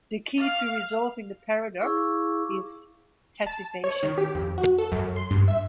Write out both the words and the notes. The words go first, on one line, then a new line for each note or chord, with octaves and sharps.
The key to resolving the paradox is passivation.
F5
E4 G#4 F5 C#6 D6 E6
A5
C#5
D#3
G4
F2
F#4
A4
F#2
C6
G2
E5